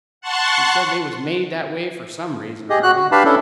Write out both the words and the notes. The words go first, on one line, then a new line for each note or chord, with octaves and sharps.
He said they was made that way for some reason or other.
F#5 A5 C6 C#6 F#6
G4 G#4 D#5
F#4 F#6
F#4
D4 G4 B4 F5 A5 B5
C#4 D4 E4 A4